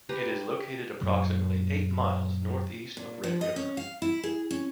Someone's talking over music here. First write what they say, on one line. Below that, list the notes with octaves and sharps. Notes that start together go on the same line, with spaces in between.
It is located approximately eight miles northeast of Red River.
G4 B4 A#5
F#2 A#2 D#3
A#2
F3
D#5
C#4
F5
E4
G#4
C#4